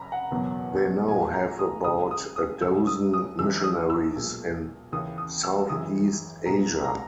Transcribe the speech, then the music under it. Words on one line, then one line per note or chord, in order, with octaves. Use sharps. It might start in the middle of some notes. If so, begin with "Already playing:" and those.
They now have about a dozen missionaries in southeast Asia.
Already playing: F#2 A#5 B5
F#5
F#1 E2 B2 F#3
A#1 A#2 G#3 G#5
A#5
D#6
D#2 C#3 G#3 D#6
D#6
D#6
G#1 F#2 C#3 E6
D#6
D#6
G#1 F#2 E3 G#3 E6
D#6
E6
B1 A#2 G#3
D#2 C#3 E3 D#6
D#6
E6
G#1 F#2 E3 G#3 D#6
B1 A#2 G#3 A#5
A#5